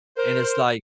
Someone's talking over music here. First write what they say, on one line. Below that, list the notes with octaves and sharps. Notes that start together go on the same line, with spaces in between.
And it's like,
A#4 C5